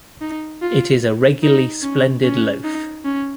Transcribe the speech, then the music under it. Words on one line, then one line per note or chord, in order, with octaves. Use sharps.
It is a regularly splendid loaf!
D#4
F4
D#4
C#4
C#4
D#4
C#4